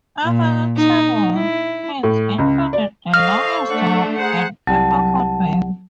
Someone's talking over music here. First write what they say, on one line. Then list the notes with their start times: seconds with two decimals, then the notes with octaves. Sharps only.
Other notable hits included "The Longest Walk" and "Pepper Hot Baby".
0.24 A#2
0.77 D#4
1.36 E4
2.03 A2
2.38 C#2
2.73 D5
3.14 A4 C5 D#5 F5 C#6 F6
3.70 A3 D4 F#5
4.18 G#4 C5 F#5 A#5
4.67 C2 F#3 G3 A5